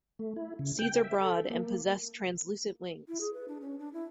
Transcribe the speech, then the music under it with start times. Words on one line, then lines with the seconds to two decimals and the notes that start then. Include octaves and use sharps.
Seeds are broad and possess translucent wings.
0.19 A3
0.36 E4
0.59 C#3
0.79 G5
1.04 E5
1.21 A4
1.50 A#3
3.08 E4
3.21 G#4
3.33 B4
3.48 D4
3.61 C#4
3.79 D4
3.93 E4